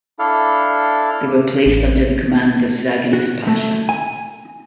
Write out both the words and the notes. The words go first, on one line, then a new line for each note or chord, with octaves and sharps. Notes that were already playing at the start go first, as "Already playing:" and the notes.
They were placed under the command of Zaganos Pasha.
D4 E4 A4 F5
A1
F#4
A3
G#5